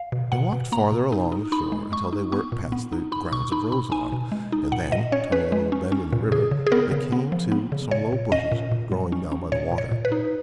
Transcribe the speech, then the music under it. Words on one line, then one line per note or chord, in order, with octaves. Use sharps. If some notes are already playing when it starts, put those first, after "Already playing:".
They walked farther along the shore until they were past the grounds of Roselawn, and then, turning a little bend in the river, they came to some low bushes growing down by the water.
Already playing: F5
B2
B2 F#5
B2
A#3 A#5
B2
D#4
D#4
D#4 B5
G#3
G#3 C#6
D#4
B3 C#6
A#2
B3
D#4
D#4 B5
B2 C#6
D#4 B5
B2 B5
D#4 G#5
B2
G#3
D#4
A#2 F#5
A#2 D#5
C#4 C#5
C#4 B4
G#3
C#4
C#4
A#2
C#3 G#4
C#3
G#4
B3 A#4
C#3
B3
F3
B3
C#3
A#2 C#5
A#2
C#4 D#5
A#2
A#2
F#3
C#4
C#4
A#2 C#5
A#2
C#5
A#2
B4
D#4